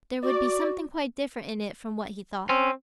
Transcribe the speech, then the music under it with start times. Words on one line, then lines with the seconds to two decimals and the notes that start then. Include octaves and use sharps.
There would be something quite different in it from what he thought.
0.23 F#4 D5
2.49 C4 C#4